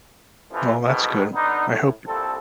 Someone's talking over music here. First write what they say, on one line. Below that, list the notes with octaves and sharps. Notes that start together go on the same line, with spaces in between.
Well, that's good, I hope it
A1 F2 E3 F3
F2 G#2 B2 D#3 G#3
D3 B3 D4 D#4
A2
C2 A#2 C4 A4